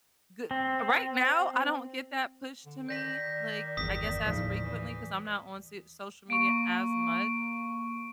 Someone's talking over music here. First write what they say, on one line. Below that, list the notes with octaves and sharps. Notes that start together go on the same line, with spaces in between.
g right now, I don't get that pushed to me, like, I guess, as frequently 'cause I'm not on se social media as much,
C4
D3
D#3 D5 G6 A#6 B6
G1 E2 D#6 B6
D#2 A2 C#3 F3
E3
A#3 C#6 D7